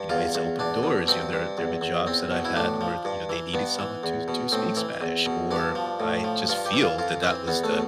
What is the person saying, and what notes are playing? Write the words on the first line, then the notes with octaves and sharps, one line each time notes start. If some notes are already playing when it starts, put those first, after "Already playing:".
you know, it's opened doors. You know, there there have been jobs that I've had where the, you know, they needed someone to to speak Spanish. Or I just feel that that was the
Already playing: G2
E2 F4
E2
E2 D4
B2
G2 C4
G2
E2
E2
E2 C4
B2
E4
A2 D4
F3
G2
E3
G2 B3
E3
E2
B2
A2 C4
E3
E2
B2
G2 D4
F3
A2
F3
G2 F4
G4
E3
F4
F2 F4
E3 C4
E2 B3
A3
B2